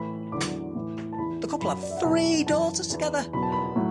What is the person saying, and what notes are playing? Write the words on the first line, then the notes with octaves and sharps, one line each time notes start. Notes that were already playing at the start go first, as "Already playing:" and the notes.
The couple had three daughters together.
Already playing: A2 E3 B5
E2 D3 F#3 D6
A2 E3
A5
E2 E3 B5
F#2 F#3 B5
D5
E5
F#5
E2 B2 F#3 A5
F#2 E3 A5
E2 E3
E2 B2 F#3 B5
A5
B5
A2 F#3